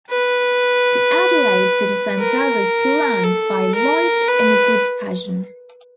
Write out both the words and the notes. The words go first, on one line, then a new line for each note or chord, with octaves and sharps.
The Adelaide city centre was planned by Light in a grid fashion.
B4
A#4
A4
A#4
B4